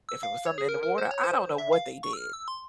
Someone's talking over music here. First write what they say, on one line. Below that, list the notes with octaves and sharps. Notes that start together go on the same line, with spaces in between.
if it was something in the water, I don't know what they did,
E6
F5
C#5
G#4
A#4
A#4
C5
C#5
C5
E5
F5
C#6
E6
F6
E6
C6